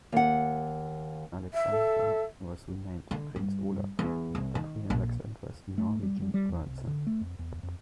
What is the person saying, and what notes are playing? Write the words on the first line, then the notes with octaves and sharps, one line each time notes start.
"Alexandra" was renamed "Prins Olav", after Queen Alexandra's Norwegian grandson.
D#2 F#5
E5
A4
D3
G2
E2
C2
D#3
A#1
A3
G3
G3
G3
E2
C2
D3
A3
F2
E2
F2